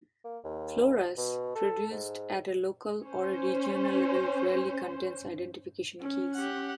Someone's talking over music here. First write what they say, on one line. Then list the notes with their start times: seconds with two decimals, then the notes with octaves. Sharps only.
Floras produced at a local or regional level rarely contain identification keys.
0.24 A#3
0.44 D#2
1.17 B2
1.55 A4
1.91 G#2
3.03 C#4 C5
6.00 C#4
6.34 G4 F#5